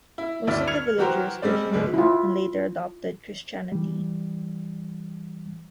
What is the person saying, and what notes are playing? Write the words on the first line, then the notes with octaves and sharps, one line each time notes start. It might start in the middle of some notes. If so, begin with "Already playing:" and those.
Most of the villagers were Hindu and later adopted Christianity.
E4
D2 G2 D4 E4 D5 F6
F6 G#6 C#7 F7
E3 F#3 F#4 G4 A#4 C5
G3 G#3 C4 D5
G1 C#2 G#3 D4
E4 F4
E3 G3